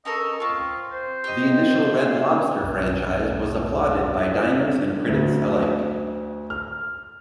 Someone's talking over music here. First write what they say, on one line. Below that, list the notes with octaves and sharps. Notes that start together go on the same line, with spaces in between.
The initial Red Lobster franchise was applauded by diners and critics alike.
C#4 A4 A#4 D#5
C4 F4 C#6
C5
G4 D#5
B1 E2 G2
D2
F6